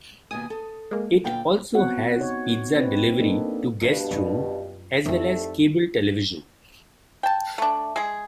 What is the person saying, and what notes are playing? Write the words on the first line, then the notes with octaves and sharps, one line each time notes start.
It also has pizza delivery to guests' rooms as well as cable television.
D#2 B2 G#5 D#6
A4
G#3 A#3
D2 A#2 B3 F5 G5
B3 C4 F#4 C#5 F#5
D#4 C#5
C4 D#4 B4
A#3 D4 D#4 A4
G2 B2 A3 B3
F#2 F4
C2 F2 A3 D#4
G5 A5
A3 D4
G#3 G#4